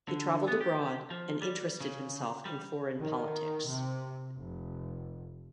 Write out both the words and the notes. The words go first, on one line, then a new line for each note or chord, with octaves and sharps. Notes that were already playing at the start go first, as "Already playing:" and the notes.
He travelled abroad and interested himself in foreign politics.
D3
B3
G4
F3
G3
C#3
G3
D#3
C3
F1